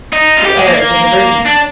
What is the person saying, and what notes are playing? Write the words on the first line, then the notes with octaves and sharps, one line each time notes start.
To err is a diversion.
D#4
F4
G4
G#3
A#3
D4